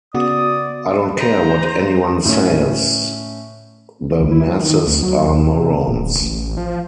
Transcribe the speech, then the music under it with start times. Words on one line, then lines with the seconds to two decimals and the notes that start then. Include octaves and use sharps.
I don't care what anyone says, the masses are morons.
0.14 C#3 B3 F#4 D5 D#6
1.19 C5 A#5
2.25 A2 C#4
4.20 C#2
4.31 E4
4.47 F#3
4.62 D#3
4.87 D2
5.03 F#3
5.27 D#2
5.49 C3
5.87 D1
6.21 A1
6.57 F3